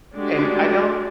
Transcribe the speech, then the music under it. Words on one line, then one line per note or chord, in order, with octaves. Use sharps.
and I don't
G#3 A3 D4 F#4 G4 D5